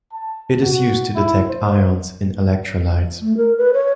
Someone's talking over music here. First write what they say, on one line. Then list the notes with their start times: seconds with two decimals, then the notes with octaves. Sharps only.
It is used to detect ions in electrolytes.
0.13 A5
0.62 F#4
1.15 E4
1.49 C5
3.22 A3
3.37 A#4
3.57 B4
3.73 C#5